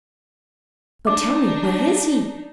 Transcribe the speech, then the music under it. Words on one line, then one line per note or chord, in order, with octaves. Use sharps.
But tell me where is he?
D4 D#4 D6